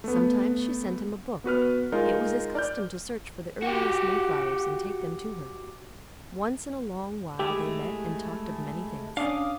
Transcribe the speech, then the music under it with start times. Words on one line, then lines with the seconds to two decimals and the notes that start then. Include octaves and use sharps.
Sometimes she sent him a book; it was his custom to search for the earliest mayflowers and take them to her; once in a long while they met and talked of many things.
0.04 A3 B3
1.44 B3 F#4 B4 F6
1.92 G#3 D#4 F4 A#4
2.55 D5 F6 G6
3.62 F#4 G4
7.39 G#3 A3 E4 G4
9.17 C#4 D4 F5 D6 D#6